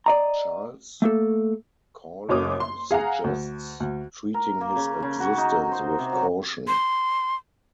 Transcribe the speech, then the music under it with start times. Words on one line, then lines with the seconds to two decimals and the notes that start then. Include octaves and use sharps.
Charles Cawley suggests treating his existence with caution.
0.06 D5 D#5 A#5
1.02 A3 A#3 A4
2.29 F#1 F#2 C#5 D6 D#6
2.60 C6
2.91 G#4 F5 F#5 A#5
3.24 D2
3.80 D2
4.34 A#4
4.61 A#3
4.76 C#3
5.02 C#3
5.20 F#4
5.38 D#4
5.72 C5
5.99 C3
6.12 F#3
6.67 C6